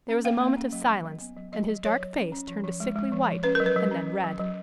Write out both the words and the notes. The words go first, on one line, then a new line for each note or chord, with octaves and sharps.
There was a moment of silence, and his dark face turned a sickly white and then red.
C#4
A#3 F5
A#3
C#4
F#3
F#3
F#3
B3
F#3
F#3 D#5
F#3
F#3 C#5
F#3
C#4
C#4
F3
F3
G#3
G#3
F3
F3
C#4 B4
F#3 A#4
B4
F#3
C#4
F#3
F#3
F#3